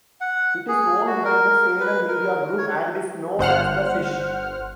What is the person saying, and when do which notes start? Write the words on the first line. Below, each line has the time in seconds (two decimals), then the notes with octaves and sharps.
It is owned by the Salem Media Group and is known as "The Fish".
0.21 F#5
0.68 G#4
1.07 F#4
1.24 A#4
1.80 B4
2.08 A#4
2.58 C#5
3.39 G1 C5 F#5 F6